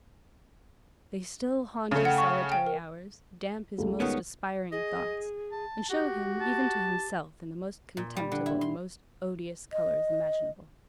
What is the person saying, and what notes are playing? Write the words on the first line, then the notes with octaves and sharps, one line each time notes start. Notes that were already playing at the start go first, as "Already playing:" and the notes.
They still haunt his solitary hours, damp his most aspiring thoughts, and show him, even to himself, in the most contemptible and most odious colours imaginable.
C#3 A3
F#5 G5
C#6
G5
A#4
C#2 G3 A3
D#3 B3 C#4
G#4 D#5
A5
F#4 G4
A5
A#2
G3
D3
E4
C6
D#5